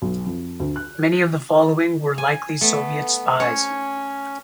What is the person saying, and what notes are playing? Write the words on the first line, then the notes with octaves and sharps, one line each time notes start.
Many of the following were likely Soviet spies.
B1
F2
D2
F#6
G#5
A3 B3
C#4 C#5